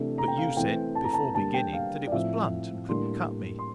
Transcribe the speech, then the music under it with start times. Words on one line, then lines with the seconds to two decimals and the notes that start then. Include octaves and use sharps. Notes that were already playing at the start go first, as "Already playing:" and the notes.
"But you said before beginning that it was blunt and couldn't cut me!"
Already playing: C3 E3 A3 D4
0.18 A#5
0.28 G5
0.37 F5
0.57 E3 A3 C4 G5
0.95 A5
1.04 A#5
1.13 A5
1.34 D3 G3 A#3 A5
1.54 G5
1.73 F5
2.07 D5
2.12 A2 F3 C4 E5
2.89 A2 G3 A#3 D4 C6
3.59 C6